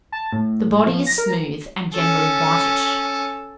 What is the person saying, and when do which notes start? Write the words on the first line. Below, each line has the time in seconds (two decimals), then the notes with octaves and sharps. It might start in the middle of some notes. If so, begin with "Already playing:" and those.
The body is smooth, and generally whitish.
0.12 A5
0.33 A2
0.86 F3
1.06 A#6
1.18 A#4
1.93 C#4 A4